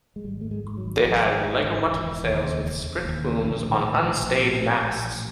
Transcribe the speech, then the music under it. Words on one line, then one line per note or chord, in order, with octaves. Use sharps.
They had leg-o-mutton sails with sprit booms on un-stayed masts.
G#3
G#1 G3
G#2 A3
G#3
G#2
F#3
G#1
G#1 F3
G#2
G#2
G#1 D3
D#3
E1 E3
E1
D#2
C#3
E1
E1
D#2
C#3
A#1 D3
A2
D#3
A2
D#3
A#1
A#1 F3
A2
A2
A#1
A1